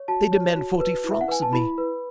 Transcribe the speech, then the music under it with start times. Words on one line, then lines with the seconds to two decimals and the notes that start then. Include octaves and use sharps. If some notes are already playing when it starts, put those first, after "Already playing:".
They demand forty francs of me.
Already playing: C#5
0.08 F#4 A5
0.32 C#5
0.56 F#4
0.80 B4
1.04 E4
1.11 E5
1.21 F#5
1.28 B4 G#5
1.42 A5
1.53 E4 B5
1.78 B4